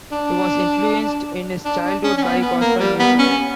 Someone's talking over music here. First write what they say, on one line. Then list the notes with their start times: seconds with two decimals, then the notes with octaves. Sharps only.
He was influenced in his childhood by gospel music.
0.12 D4
1.65 D4
1.85 D4
2.04 C#4
2.17 C#4
2.23 B3
2.42 B3
2.61 A#3
2.80 G3
2.99 B3
3.19 C#4